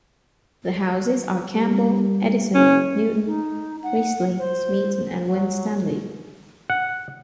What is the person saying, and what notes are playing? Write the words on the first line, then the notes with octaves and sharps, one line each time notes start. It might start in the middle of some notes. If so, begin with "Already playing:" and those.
The houses are Campbell, Edison, Newton, Priestley, Smeaton and Winstanley.
G3
F#1 C#4
D#4
F#5
C5
F#3
F#5